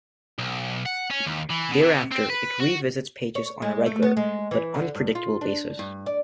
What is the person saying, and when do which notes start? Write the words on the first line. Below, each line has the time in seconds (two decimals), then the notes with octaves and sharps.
Thereafter it revisits pages on a regular, but unpredictable basis.
0.39 B1
0.86 F#5
1.11 C#4
1.26 D#2
1.50 E3
1.71 B2
1.82 C3
2.11 C4
2.30 B4
2.60 F#4
3.35 C#5
3.62 G#3
3.86 A3
4.02 B3
4.17 G#3
4.51 E3
4.75 D3
4.95 G2
5.15 F4
5.41 D4
5.79 G2
6.06 D5